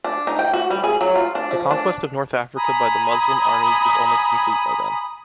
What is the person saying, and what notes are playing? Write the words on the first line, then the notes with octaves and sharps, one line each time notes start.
The conquest of North Africa by the Muslim armies is almost complete by then.
D4
D#4
G5
F#4
G3
G#4
F#3
F4
D4
F3
D4
G#5 A#5 B5 D#6